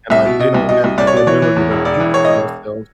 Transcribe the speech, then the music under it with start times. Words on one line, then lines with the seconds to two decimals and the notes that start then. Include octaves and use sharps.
and, like, they don't have that ability to think for themselves
0.10 C2 E5
0.25 B2
0.39 B2 D#5
0.54 C2
0.69 B2 D#5
0.84 C2
0.98 C2 D5
1.07 C#5
1.13 B2 D5
1.27 E3 C#5
1.42 E3
1.56 E2
1.71 E1
1.85 E1 D5
2.00 E3
2.14 E1 C#5
2.25 D#5